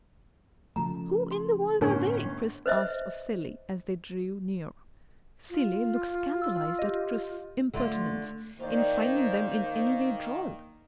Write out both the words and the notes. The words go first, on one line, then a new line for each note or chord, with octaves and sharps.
"Who in the world are they?" Chris asked of Cilley as they drew near. Cilley looked scandalized at Chris's impertinence in finding them in any way droll.
C#3 F3 A3 A#5
C6
G1 A2 C#4 D4 A#4 G#5
B4 C5 D#5 E5
F4
E6
G4 D#5
D3 A3 F4
D#3 A#3 D4 F4 C5